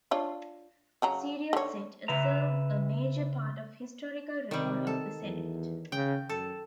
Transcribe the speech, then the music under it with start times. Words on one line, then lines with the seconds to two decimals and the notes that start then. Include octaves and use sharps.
Serial Set, and serve a major part of the historical record of the Senate.
0.11 D4 F4 C#5
1.02 C#3 F#3 A#5
1.53 D3 C#5
2.08 C#3 B4 E5 A#5
4.51 C3 D#3 G3
4.87 A4
5.23 E2
5.92 C#3 G5
6.29 F#2 A4